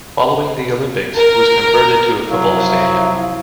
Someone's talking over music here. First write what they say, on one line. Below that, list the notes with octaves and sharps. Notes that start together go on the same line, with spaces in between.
Following the olympics it was converted to a football stadium.
A#4
C3 F3 F#3 E4 F5